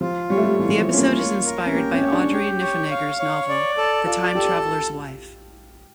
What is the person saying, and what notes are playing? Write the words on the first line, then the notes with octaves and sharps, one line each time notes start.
The episode is inspired by Audrey Niffenegger's novel "The Time-Traveler's Wife".
F3 F4
G3 C#5
A3
G3
E3 F4
E3
F3
F4
C#4
A#3
C#5
A#4
C#4
A#3 G4
C#4
C#5
D4
G4
C#5
F5
C#5
D5
A4
F4 D5
G4 A4